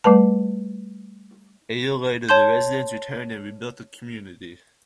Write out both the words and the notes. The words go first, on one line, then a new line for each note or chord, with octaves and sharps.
A year later the residents returned and rebuilt the community.
G3 A3 B4 A5
C#5 A5 C6 G6